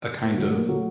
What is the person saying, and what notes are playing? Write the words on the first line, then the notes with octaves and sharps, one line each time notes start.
a kind of
A#2
F#3 A3
A#2
F#3 A3